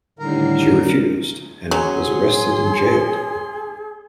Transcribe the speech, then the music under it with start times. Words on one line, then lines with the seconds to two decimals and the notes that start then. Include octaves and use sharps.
She refused, and was arrested and jailed.
0.19 A2 D3 D#3 G3 A#4 C7
1.71 F#3 C#4 G#4 C6